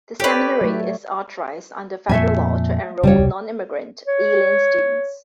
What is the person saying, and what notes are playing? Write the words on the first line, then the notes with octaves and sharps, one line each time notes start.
The seminary is authorized under federal law to enroll nonimmigrant alien students.
G4 A4 B4 C#5 D5
F#3 A3
F2 A#2 A3 E5 G#5
F1 C#3 G3 C#5
E1 C2
C#5